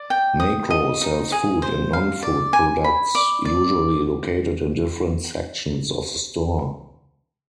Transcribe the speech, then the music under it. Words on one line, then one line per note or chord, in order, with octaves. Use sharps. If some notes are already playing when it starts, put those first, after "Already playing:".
Makro sells food and non-food products, usually located in different sections of the store.
Already playing: D5
G5
D#6
D#5
D#4
G#4
C5
F5
D5
G#5
B5
D5
D5